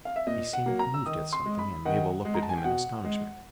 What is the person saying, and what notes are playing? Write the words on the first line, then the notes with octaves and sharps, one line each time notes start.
He seemed moved at something, and Mabel looked at him in astonishment.
F5
E5
A#2 D#5
F#5
F#3 A#3
A#5
E6
D#3 D#6
C6
G#3
B5
D#3 F#5
G#3
A#5
A5
G#5
G5
B2 F#5
G#3